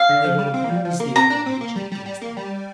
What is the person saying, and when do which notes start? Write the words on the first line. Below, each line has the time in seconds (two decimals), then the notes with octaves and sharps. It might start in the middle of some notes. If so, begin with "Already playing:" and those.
They will abuse the advantage it gives them.
Already playing: F5
0.09 D3
0.24 F3
0.39 G3
0.54 C4
0.64 A#3
0.70 G3
0.85 F3
1.00 A#3
1.15 C4 A#5
1.30 D4
1.46 C4
1.61 A#3
1.76 G3
1.92 G3
2.06 G3
2.21 A#3
2.37 G3